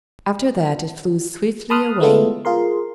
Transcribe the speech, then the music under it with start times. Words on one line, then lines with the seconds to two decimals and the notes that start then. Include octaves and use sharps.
After that it flew swiftly away.
1.70 A5 B5 C6 D#6 F6 F#6
2.00 G#3 A3 B3 E4 F4 A4
2.45 F4 G#4 A#4 C6